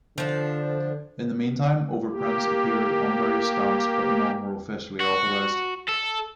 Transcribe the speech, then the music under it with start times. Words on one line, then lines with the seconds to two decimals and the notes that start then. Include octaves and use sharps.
In the meantime, overprints appeared on various stamps, but none were officially authorized.
0.18 D3 F3 D4
2.10 A#3 G4
5.00 F#4
5.89 A4